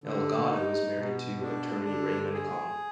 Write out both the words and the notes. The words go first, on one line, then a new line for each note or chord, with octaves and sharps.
Alegado is married to attorney Raymond Kong.
D3
D#4
B2
D4
D3
G#4